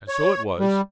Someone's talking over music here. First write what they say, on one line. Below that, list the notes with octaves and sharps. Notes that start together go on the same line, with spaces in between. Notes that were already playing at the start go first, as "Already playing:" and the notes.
And so it was.
C#5
G3